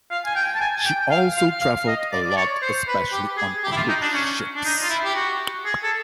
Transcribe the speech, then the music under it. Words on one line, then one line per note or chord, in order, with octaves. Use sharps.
She also traveled "a lot, especially on cruise ships".
F5
G#5
G5
A5
G#5
G5
F5
F5
F5
D#5
D5
D5
C#5
C5
B4
G4
G#4
G4
E4
F4
D#4
D4
C#4
D4
D#4
F4
E4
G4
F#4
G#4
A4